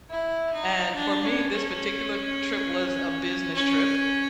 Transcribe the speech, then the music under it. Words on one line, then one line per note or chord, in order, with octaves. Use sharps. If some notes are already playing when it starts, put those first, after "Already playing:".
And for me, this particular trip was a business trip,
E4
D#4
D4
C#4
C#4
C#4